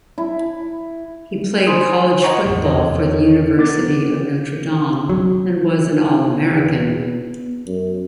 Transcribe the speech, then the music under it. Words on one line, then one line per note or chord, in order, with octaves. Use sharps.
He played college football for the University of Notre Dame, and was an All-American.
E4
G3
C5 G#5 B5 C6 D#6
B4 C#5 D#5 F#5 A#5 C#6
A1 F2
E2 A4 C#5 D#5
B3 D6 A6
F#3
E2
B3
F#2